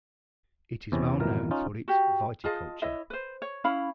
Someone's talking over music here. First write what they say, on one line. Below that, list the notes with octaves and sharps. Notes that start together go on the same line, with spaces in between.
It is well known for its viticulture.
E2 C3 C#4
G#1 F2 B2 E3 A#4
C#4 D#4 F4
F#4 G4
F4 G#4 D#5 A5
E4 C#5 D#5 E5
B4 C5
C#5
C#4 E4 F5 B5